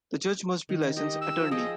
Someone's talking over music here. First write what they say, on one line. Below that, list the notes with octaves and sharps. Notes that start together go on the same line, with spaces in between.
The Judge must be a licensed attorney.
D#3
G4 D#5
E6
F3
G#4 D#5 G5